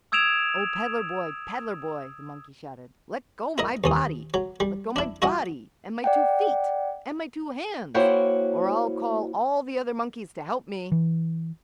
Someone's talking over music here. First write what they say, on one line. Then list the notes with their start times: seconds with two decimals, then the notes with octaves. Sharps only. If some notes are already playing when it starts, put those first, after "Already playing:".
"O, peddler boy, peddler boy," the monkey shouted, "let go my body! Let go my body and my two feet and my two hands or I'll call all the other monkeys to help me!"
0.12 D#6 E6 G#6 D7 E7 F7
3.58 E4 A#4 D#5
3.84 D#2 E3 D#6
4.34 F#3
4.60 G3
4.96 D4 E4
5.22 E4 F#4 D#5 F#5
6.04 D5 F#5 G5
7.94 A#3 E4 F#4 C5 C#5 G5
10.92 E3